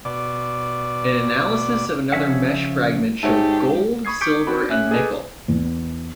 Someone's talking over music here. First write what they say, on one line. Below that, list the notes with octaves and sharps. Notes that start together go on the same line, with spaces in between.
An analysis of another mesh fragment showed gold, silver, and nickel.
B2 D5
C#3 F3 C#5 E5 F#5
G#2 G#3 A3 F#4 G4 C#5
B5 C#6 D#6 G#6 C7
C#6 D6 G6 B6 C#7 D7
C4 D4 F#4 B5
C#4 E5 F#6
G#4 A4 B4 D#5 G#5
E2